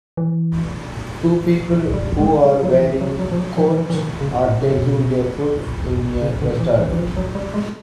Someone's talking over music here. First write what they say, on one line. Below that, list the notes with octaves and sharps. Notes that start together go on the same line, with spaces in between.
Two people who are wearing coat are taking their food in a restaurant.
E3
G3
G#3
G3
F#3
F3
E3
F#3
F#3
F3
F#3
F3
E3
E3
D#3
C#3
A2
C3
B2
C#3
D3
E3
E3
E3
F3
F#3
G3
G#3